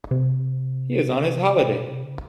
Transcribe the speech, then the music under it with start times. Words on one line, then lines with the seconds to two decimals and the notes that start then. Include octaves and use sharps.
He is on his holiday.
0.11 C3
1.54 C#3
1.62 C3
1.69 B2
1.86 C3
2.04 C#3